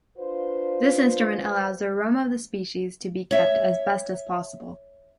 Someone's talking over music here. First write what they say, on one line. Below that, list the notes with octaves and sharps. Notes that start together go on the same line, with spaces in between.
This instrument allows the aroma of the species to be kept as best as possible.
D4 F4 B4 C5
C#5 E5